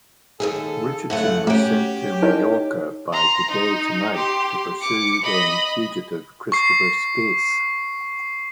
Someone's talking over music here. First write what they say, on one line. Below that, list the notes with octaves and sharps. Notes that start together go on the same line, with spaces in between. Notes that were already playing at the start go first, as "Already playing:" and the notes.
Richardson was sent to Majorca by Today Tonight to pursue then-fugitive Christopher Skase.
D#2 G#2 G#4 A4 G#5
F#2 C#3 A3 E4 F#5
A3 C#4 F#4 G4 D7
D#4 E4 A#4 C#5 D#5
A#5 C6
D#4
G4 C6
D6 C#7
D#5 B5
C#6 C7